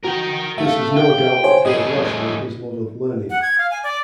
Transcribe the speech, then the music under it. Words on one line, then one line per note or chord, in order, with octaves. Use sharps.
This is no doubt what gave Lashley his love of learning.
F#4 A#4 G5
A3 E5 F5
G5
C5 C#5 G#5
A2 G#4 D#5
F#5
G#6
F5
G#5
D5